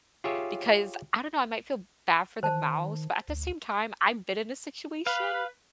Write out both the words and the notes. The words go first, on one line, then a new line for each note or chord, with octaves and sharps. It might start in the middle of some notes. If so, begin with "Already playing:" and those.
Because I don't know, I might feel bad for the mouse, but at the same time, I've been in a situation
F4 G4 G#4 C#5 E5
D#3 C5 A5
D2
B4 F5